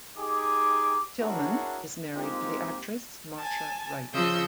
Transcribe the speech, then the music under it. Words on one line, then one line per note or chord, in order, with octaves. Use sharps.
Tillman is married to the actress, Marcia Wright.
D#4 G4 G#4 D6
D4 E4 F#4 G#4 A#4 C#5
G#3 A#3 C4 D#4 F4 G4
G#5 A5
C#3 F3 F4 D#5 E6 G6